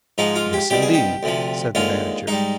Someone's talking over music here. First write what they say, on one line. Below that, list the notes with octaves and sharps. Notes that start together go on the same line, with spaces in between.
"Yes, indeed," said the manager.
G#2 F3 G#3 D#4
F4
G4
C2 B2 G3 G4
G#4
G4
D2 C3 F3
D#2 D3 G#3 F4
G#2 G3 D#4